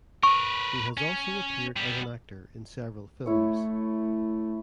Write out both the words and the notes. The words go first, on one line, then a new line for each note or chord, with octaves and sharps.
He has also appeared as an actor in several films.
A#4 B4 C#6
C#4
G3 B3
A3 E4 C#5